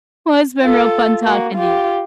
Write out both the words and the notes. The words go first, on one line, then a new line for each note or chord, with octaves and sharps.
Well, it's been real fun talking to you.
F4 A4
A#3 F#4
F4 G4